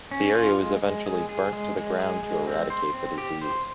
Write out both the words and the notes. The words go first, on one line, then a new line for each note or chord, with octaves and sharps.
The area was eventually burnt to the ground to eradicate the disease.
C#4
F4
G#3
G#3
G#4
G#4
G#3
G#3
G#4
G#3
C4
C5
C4
G4
C5